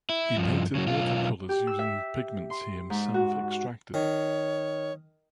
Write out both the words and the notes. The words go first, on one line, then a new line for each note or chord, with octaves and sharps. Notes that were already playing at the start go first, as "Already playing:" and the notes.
He painted watercolours using pigments he himself extracted.
E4
G2 F3
C#3 F#3
B1 F4
G4
E6
E5
C6
G#2
F#4
D#3 C#5